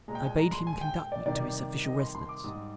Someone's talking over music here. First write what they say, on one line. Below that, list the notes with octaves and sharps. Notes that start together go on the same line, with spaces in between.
I bade him conduct me to his official residence.
A#2 G#3 A#5
G5
G#5
A#5
C6
G#5
G5
G5
D5
C3 D#3 G3 D5
D#5
C6
C6
D6
G#2 G3 D#6